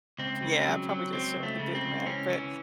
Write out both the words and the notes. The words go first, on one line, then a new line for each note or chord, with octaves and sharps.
Yeah, probably just showing the Big Mac, but
C#2 C4
C#3
F#3
F#3
C#2 C4
C#2
A3
C#3
C4
C#2
E3 C#4
E3 C#4